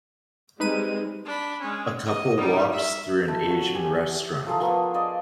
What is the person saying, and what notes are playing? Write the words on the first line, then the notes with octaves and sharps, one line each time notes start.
A couple walks through an Asian restaurant.
G3 G#3 C4 D#4 B4 D#7
D4 B5
G#3 C#4
D#5
G3 D#4
E5
A3 E4
F#4 C#5
G4 G#5
F3 A3 G#4 A#5
F3 A#3 B3
D5 D#5 F5